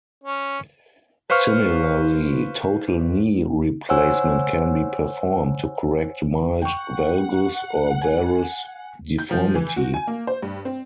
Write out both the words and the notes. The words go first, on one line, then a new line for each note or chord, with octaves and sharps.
Similarly, total knee replacement can be performed to correct mild valgus or varus deformity.
C#4
B4 C5 F5 C#6 F6
C5 C#5 F#5 G#5 E6
F#5 G5 C#6
G#5
G6
F3
E3
F#4
G#5
A#3
C5
G2
C4